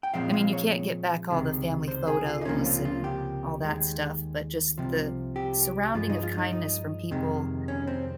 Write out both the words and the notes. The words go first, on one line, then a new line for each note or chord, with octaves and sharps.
I mean, you can't get back all the family photos and all that stuff, but just the surrounding of kindness from people
G5
A#2 F3 G#3 C4 F5
F5
C#5
C#2 C3 D#3 G#3
C5
G#4
F4
D#4
C#2 C3 F3 A#3 C#4
F4
F4
G4
D#2 D#3 G#3
C2 C3 F3
G4
G2 F3 G#3 F4
D#4
F4
D#4
D#4
F2 C3 D#3 G#3
C#4
C4